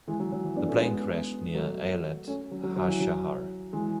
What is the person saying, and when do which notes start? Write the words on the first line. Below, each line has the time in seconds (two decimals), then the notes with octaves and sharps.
The plane crashed near Ayelet HaShahar.
0.07 E3 G#3
0.20 F#3
0.32 F#3
0.44 E3
0.56 B3 D4
0.68 A3 C#4
0.81 G#3 B3
1.54 F#3 A3
2.27 A3 C#4
2.51 F#3
2.63 F#3
2.76 F#3
2.88 E3
3.01 F#3
3.73 E3 G#3